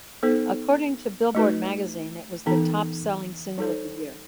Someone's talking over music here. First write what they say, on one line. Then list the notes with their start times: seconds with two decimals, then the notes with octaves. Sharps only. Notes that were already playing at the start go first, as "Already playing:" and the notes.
According to "Billboard" magazine, it was the top-selling single of the year.
0.23 B3 D#4 A4 C5
1.35 A3 D#4 F#4 B4
2.46 E3 B3 D#4 A4
3.58 G3 D#4 A4 C5